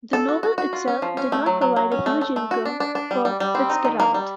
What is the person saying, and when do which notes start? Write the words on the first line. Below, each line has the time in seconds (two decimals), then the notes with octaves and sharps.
The novel itself did not provide a huge income for Fitzgerald.
0.13 A4
0.28 F#4
0.43 F#4
0.58 F#4
0.73 F4
0.88 C#4
1.02 F3
1.17 C#4
1.32 A3
1.46 F#3
1.62 F#3
1.76 F#3
1.92 C#4
2.06 A3
2.21 A3
2.36 A3
2.51 F#4
2.65 D4
2.80 D4
2.95 D4
3.11 G3
3.25 G3
3.40 G3
3.55 C4
3.70 D#4
3.85 D#3
4.00 A#3
4.14 G3